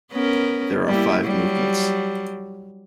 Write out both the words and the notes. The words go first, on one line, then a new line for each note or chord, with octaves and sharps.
There are five movements.
B3 C#4 A#4
G3 A#3 E4
F#3 G3